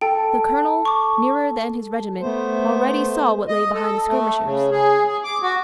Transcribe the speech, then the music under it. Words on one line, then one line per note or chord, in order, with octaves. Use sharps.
The Colonel, nearer than his regiment, already saw what lay behind the skirmishers.
A4 G5
C#6 D6
A3 B3 C5
D#5
A4
A3
C#3
G#4
G#4
D6
F#4